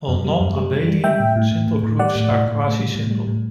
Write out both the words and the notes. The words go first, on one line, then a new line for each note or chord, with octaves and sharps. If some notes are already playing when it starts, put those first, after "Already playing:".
All non-abelian simple groups are quasisimple.
F#2
G3
F#2
G3
G3
G3
G3 E5 G5
A2
A2
A2
A2
A2
G3 D5 F#5
A2
A2
A2
A2
G3
A2
G3
A2